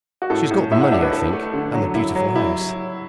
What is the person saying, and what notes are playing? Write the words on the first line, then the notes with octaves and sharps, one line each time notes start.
"She has got the money, I think--and the beautiful house."
F#4
A2 A4
A2
A2 E5
F#5
D4 E5
B4
E4 A4
A3
D3
F#3
E4
F#3
E4